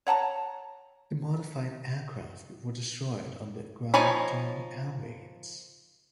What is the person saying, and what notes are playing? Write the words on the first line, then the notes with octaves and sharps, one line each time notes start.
The modified aircraft were destroyed on the ground during air raids.
C#5 F#5 A5 A#5
F3 D#4 C#5 G#5 B5